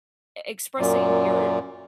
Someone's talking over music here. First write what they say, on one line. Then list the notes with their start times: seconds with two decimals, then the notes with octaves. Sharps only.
e expressing your
0.79 F#2 A#2